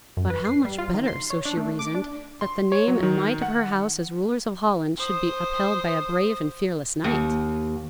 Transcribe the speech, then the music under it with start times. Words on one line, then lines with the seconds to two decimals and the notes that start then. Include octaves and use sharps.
But how much better, so she reasoned, that the name and might of her house as rulers of Holland should be upheld by a brave and fearless knight.
0.17 F#2
0.30 B4
0.45 C7
0.65 G3
0.78 F4
0.94 D#3
1.08 C6
1.30 C#5
1.45 D4
1.57 A3
1.79 D6
1.95 D4
2.41 C6
2.72 C#5
2.88 F#3
3.03 D#3
3.42 F#5
4.98 C5 D#6
7.04 D#2